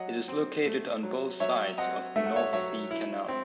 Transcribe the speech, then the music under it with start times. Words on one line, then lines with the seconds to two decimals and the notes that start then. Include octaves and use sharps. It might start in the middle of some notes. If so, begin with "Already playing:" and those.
It is located on both sides of the North Sea Canal.
Already playing: F#3 D#5 F#5
0.28 C4
0.66 A3
1.03 F#3
1.40 F#3 C#5 E5
1.78 C4 D#5 F#5
2.16 A3 E5
2.26 F#5
2.36 C#5 E5
2.53 F#3 C#5 E5
2.91 E4
3.28 C4